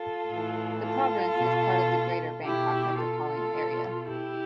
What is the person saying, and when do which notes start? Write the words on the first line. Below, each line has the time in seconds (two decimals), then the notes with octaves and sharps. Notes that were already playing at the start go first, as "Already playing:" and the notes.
The province is part of the greater Bangkok Metropolitan Area.
Already playing: F4 A4
0.29 A2 E3
0.83 F4 A4
1.37 B2
2.45 B2 E4 G4
2.98 F4 A4
3.52 B2
4.07 E4 G4